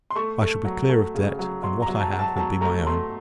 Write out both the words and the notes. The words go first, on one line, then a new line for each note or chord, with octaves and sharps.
I shall be clear of debt, and what I have will be my own.
C6
A3 C#6
A3
F#3
A3
C#3
F#3
F#3 C6
A#5
F#3
A5
F#3
A5
F#3 A5
A3 A#5
A3 C6